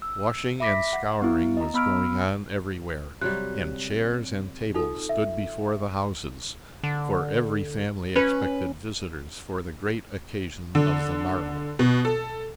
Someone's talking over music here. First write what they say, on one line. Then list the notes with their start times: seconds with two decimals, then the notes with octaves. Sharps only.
Washing and scouring was going on everywhere, and chairs and tables stood before the houses,--for every family expected visitors for the great occasion of the morrow.
0.02 E6
0.60 E5 B5 D6 A#6 B6
0.93 F#5
1.22 B3 E4
1.57 D#5 A#5
1.74 B3 B5 E6 F6 D7
3.21 C3 F#3 G3 F#6
4.74 D#4 F4 A4
5.09 E5
6.84 D3
8.16 C#4 B4
10.75 D3
11.79 B2
12.05 A4